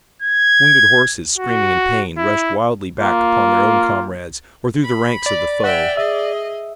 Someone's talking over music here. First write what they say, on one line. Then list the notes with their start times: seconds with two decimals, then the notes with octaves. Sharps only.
Wounded horses screaming in pain rushed wildly back upon their own comrades or through the ranks of the foe.
0.22 G#6
1.38 F#4
2.18 E4
3.00 A#3 F4
4.83 B5
5.26 D5
5.64 E5 F#5 G5
5.97 G#4 D#5 E5